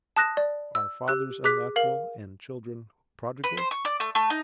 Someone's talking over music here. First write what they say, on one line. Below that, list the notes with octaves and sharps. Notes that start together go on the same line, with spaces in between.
Are fathers unnatural, and children prodigal?
A5 D#6 F#6 A#6 E7
D5
E6
G4 E6 F#6
G#4 D6 F#6 B6
A#4 F5 F#7
B4
C5
C#6
D5
A3
A3
D#4